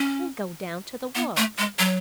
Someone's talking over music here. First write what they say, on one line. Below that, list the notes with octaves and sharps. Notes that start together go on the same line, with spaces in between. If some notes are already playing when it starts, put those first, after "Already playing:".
We'll go down to the Works.
Already playing: C#4
B3
A3
G#3
F#3